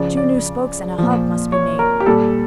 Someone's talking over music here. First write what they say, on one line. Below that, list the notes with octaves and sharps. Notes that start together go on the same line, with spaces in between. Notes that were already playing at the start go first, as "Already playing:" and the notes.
Two new spokes and a hub must be made.
Already playing: C#3 F3 D5
D5
A#2 F3
C#5
A#4
G4
A#2 G3 A4